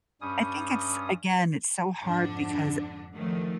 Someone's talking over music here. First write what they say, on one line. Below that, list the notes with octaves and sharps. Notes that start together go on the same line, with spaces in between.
I think it's again, it's so hard because
G2 G3 C#4 D#6
F2 G#2 D3 D4
D#3 F3 F#3 A3